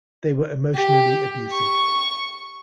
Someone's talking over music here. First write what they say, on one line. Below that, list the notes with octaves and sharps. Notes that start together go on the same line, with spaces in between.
They were emotionally abusive.
G4
C#6